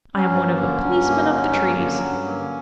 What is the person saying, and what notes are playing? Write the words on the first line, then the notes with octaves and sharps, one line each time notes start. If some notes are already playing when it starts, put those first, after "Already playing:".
I am one of the policemen of the trees.
F#3 C#4
G2
A#3
D3
F#3
G2
A#3
D3
F#3
G2
A#3
D3
F#3
G2
A#3
D3